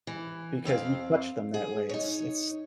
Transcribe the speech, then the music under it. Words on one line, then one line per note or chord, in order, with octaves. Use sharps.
because you touch them that way, it's it's
E3
F2 C4 F#4 F5
G#4
D#4 C#5